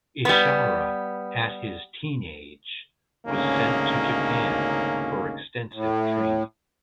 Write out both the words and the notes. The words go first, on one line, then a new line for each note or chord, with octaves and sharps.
Ishara at his teenage was sent to Japan for extensive training.
G3 B3
G#1 D2 C#3 A#3 C#4 D#4
A2